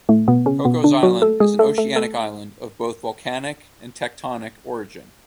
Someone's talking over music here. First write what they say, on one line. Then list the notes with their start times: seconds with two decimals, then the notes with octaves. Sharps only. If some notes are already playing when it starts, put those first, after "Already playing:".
Cocos Island is an oceanic island of both volcanic and tectonic origin.
0.09 A2 A3
0.28 B2 B3
0.46 C#3 C#4
0.65 B2 B3
0.84 D3 D4
1.03 F#3 F#4
1.22 A3 A4
1.40 G#3 G#4
1.59 A3 A4
1.78 A3 A4
1.96 A3 A4